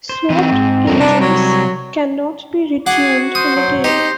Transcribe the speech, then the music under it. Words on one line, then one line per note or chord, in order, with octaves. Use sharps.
Swapped engines cannot be retuned in the game.
C5
E3 C4 D#4
G#2
F2 G#2 G3 A#4
C3 G3 C4 D4 D#4 B4
F#3 C#5
F#4 G#4 F#5 D6
C5 D#6
F#3
D#4 G4 C5